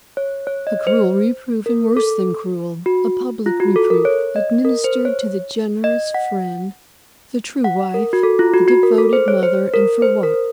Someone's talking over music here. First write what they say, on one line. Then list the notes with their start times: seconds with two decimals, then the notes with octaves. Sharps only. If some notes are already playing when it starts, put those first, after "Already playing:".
A cruel reproof, and worse than cruel, a public reproof, administered to the generous friend, the true wife, the devoted mother--and for what?
0.17 C#5
0.47 C#5
0.67 D#5
0.87 C5
1.66 A#4
1.97 A4
2.86 F#4
3.46 F4
3.60 F#4
3.76 A4
3.90 A#4
4.05 C#5
4.36 D#5
4.65 A#4
4.84 C5
5.05 C#5
5.84 D#5
6.14 F#5
7.64 F#5
7.94 A#4
8.13 F#4
8.23 A4
8.39 F4
8.54 F#4
8.68 F#4
8.83 A#4
8.98 A4
9.13 C5
9.28 C#5
9.43 C5
9.74 A#4
10.02 C5
10.23 A#4